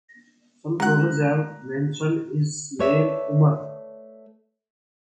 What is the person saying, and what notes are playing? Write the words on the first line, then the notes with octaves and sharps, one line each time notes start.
Some sources have mentioned his name Umar.
C#3 G#3 A3 F#4 F#5 A#5 F#6
A3 B4 C#5 D5 E5